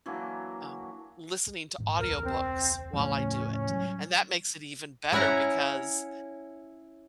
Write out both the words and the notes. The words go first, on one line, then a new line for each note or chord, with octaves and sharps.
um, listening to audiobooks while I do it, and that makes it even better because
E3 F#3 A#3 D4
A1 G#2
E1 C#2 A#4
C4
A2 C#3 F3 C#4
C#4
F#3 G3
C#4 E4 C#5 F#5 A#5